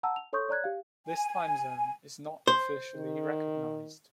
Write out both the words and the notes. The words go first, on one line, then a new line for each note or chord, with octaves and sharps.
This time zone is not officially recognised.
F#5 A5 A#5 E6
F7
A4 C#5 C6 C#6 D#6 G6
C#5 D5 A#5 F#6 G#6
G4 F5
G#5
C5
D#3